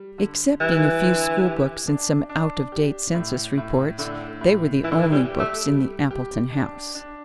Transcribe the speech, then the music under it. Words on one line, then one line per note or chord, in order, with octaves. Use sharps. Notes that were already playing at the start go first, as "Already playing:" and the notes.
Excepting a few school-books and some out-of-date census reports, they were the only books in the Appleton house.
Already playing: G3
D3
E3 G3
D3
G4
D4
D4
G4
A2
A2
A2 D3
A2
E3 E4
D3
E3
G3
G4
A3
G3
G4
D4
D4